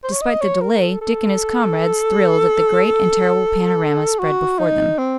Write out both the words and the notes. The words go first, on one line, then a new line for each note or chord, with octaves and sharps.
Despite the delay, Dick and his comrades, thrilled at the great and terrible panorama spread before them.
C5
C#5
D#5
C#5
A#4
A4
A4
F#4
D#4
C4